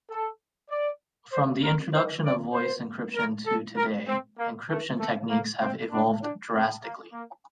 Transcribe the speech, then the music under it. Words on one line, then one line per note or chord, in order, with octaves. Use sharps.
From the introduction of voice encryption to today, encryption techniques have evolved drastically.
A4
D5
C5
A#4
C5
D5
C5
A#4
A4
A#4
C4
A#3
A3
A3
A#3
C4
D4
D4
C4
A#3
A#3